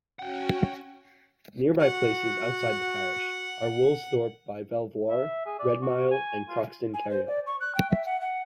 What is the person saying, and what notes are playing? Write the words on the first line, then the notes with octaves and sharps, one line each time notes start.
Nearby places outside the parish are Woolsthorpe by Belvoir, Redmile, and Croxton Kerrial.
C#4 F#4 F#5 G5
F#4 F#5
E5
G#4
D5
F#4
G#5
F4
G#5
C5
D5
C#6
F#6
G5
E5
F#5
F#5